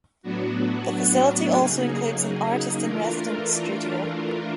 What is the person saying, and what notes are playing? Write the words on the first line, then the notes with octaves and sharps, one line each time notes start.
The facility also includes an artist-in-residence studio.
A2 F#3 B3 D4 F#4
C#3 F#3 A#3 D#4 G#4
E3 A3 D4 F4 A#4